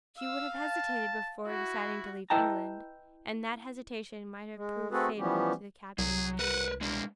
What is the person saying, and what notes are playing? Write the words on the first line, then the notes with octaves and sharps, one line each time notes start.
She would have hesitated before deciding to leave England, and that hesitation might have proved fatal to the captain's scheme.
F5 E6
A5
E4 F#4
E4 B4 D#5 G5 A5 A#5
G#3
A3 C4 F#4 G#4 A4 B4
E3 F3 G3 B3 C#4 G4
C2 F#3 G#4
A#4 B4 F#5
G#3 A#3 D4